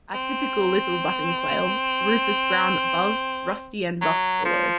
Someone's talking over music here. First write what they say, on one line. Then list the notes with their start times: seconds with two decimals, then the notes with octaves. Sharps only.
A typical little buttonquail, rufous-brown above, rusty and buff below.
0.14 C4
4.01 F#3
4.45 F3